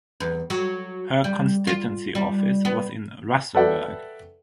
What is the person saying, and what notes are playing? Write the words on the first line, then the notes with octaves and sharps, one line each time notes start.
Her constituency office was in Rustenburg.
E2
F#3
G3
F4
G3
B3
A4 B4 D5 E5 F#5 G5